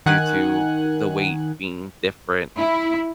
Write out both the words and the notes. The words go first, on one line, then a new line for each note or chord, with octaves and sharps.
due to the weight being different
D#3 F#5 G#5 F#6
E4